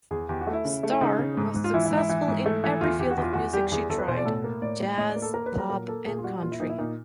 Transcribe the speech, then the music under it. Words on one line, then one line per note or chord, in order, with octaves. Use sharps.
Starr was successful in every field of music she tried: jazz, pop and country.
E2 G#4
E2 G4
F#4
A3
E4
C#3
A3
E4
C#3 D#4
C#3
G#2
G#2
F4
E3 E4
E4
G#2
E4
E3
G#2
A3
E3
E2 F4
E2 G4
F#4
E2
F4
E2 F#4
G3 G4
G4
E2 G#4
E2 A4
B4
B2 C5
D5
A2 A4
A#3
A2 D5
A2
A2 D#5
D5
A#3
A4
A#3 A#4
B4
F#3
A#4
A#2 A#4
A#3 A4
A#2 G#4
F4
G3 F#4
A#2 F4
E4
A#2 D#4
E4
A#2 D#4